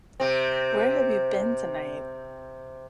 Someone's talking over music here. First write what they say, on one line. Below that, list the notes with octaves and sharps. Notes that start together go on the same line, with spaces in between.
Where Have You Been Tonight?
C3 C4